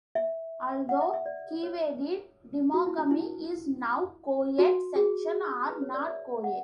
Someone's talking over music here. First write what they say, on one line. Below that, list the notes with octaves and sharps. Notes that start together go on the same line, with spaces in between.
Although Keewaydin Temagami is now co-ed, sections are not co-ed.
E5
F#5
E5
E5
D5
C#5
F#4
E4
D4
E4
F#4
G#4
B4
C#5
D5
E5
F#5